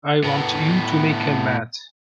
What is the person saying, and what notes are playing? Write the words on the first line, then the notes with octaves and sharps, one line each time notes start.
I want you to make him mad.
A2 B3